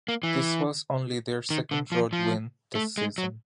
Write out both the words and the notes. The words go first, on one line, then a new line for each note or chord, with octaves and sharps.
This was only their second road win this season.
A#3
E3
D#3
D3
F3
F3
A3
G#3
F#3